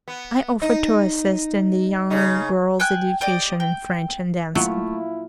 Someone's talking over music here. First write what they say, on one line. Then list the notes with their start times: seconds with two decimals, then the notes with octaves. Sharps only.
I offered to assist in the young girl's education in French and dancing.
0.08 B3
0.62 D#4
2.10 C#3 D#4
2.80 G5 G#5 F#6
3.21 G4 D5 D#5
3.60 G5
4.55 F#3 A3 A#3 E4 F4